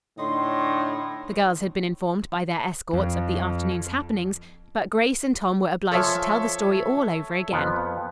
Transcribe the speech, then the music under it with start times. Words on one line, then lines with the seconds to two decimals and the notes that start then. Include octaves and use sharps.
The girls had been informed by their escorts of the afternoon's happenings, but Grace and Tom were obliged to tell the story all over again.
0.18 A2 D3 D#4 C6
2.93 F2
5.92 F3 A4 C#5 E5 G#5 A5
7.52 F2 F3 B3